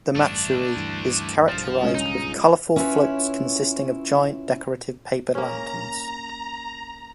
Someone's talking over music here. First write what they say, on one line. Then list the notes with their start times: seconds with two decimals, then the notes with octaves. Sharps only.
The matsuri is characterized with colourful floats consisting of giant, decorative paper lanterns.
0.15 A1 G2 A3 D4
0.76 D2 G2 E3
1.49 B1 G2 F3 A6
1.82 C#2 C#4 D#5
1.95 D#4
2.76 C#4 E4 F4 G#4 B4 C#5
5.35 A#3 C#4 A#5